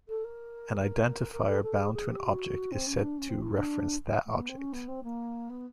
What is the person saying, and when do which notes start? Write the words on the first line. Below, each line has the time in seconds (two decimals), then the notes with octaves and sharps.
An identifier bound to an object is said to reference that object.
0.09 A4
0.24 A#4
1.33 A#4
1.48 A4
1.63 A4
1.79 G#4
1.94 G#4
2.10 G4
2.26 F#4
2.72 C4
2.87 C#4
3.03 D4
3.18 C#4
3.29 C4
3.41 E4
3.53 D4
4.26 A3
4.34 A#3
4.41 B3
4.49 C4
4.57 C#4
4.73 B3
4.88 C4
5.04 A#3
5.50 B3